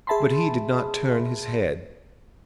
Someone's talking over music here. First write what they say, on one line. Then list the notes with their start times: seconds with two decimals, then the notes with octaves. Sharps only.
But he did not turn his head.
0.07 G#4 E5 A5 B5 C6